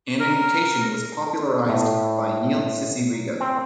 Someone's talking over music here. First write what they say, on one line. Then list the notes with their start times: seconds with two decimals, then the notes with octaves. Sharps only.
Animutation was popularized by Neil Cicierega.
0.20 A#4
1.27 A4
1.69 A2
3.12 A#5
3.40 C4